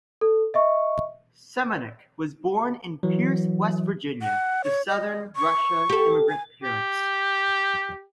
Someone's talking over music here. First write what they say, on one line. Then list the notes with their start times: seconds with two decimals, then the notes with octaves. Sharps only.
Seminick was born in Pierce, West Virginia to southern Russia immigrant parents.
0.21 A4
0.54 D#5 E5 C#6
3.03 E3 F#3
4.22 F#5
4.64 C#5
4.88 D#5
5.36 C#6
5.89 G4 A4
6.29 G#5
6.63 G4